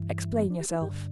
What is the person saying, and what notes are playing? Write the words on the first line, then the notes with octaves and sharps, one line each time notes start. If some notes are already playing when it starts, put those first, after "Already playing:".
"Explain yourself."
Already playing: G2 E3
B3
D4
G4
E4
G2 D3 G4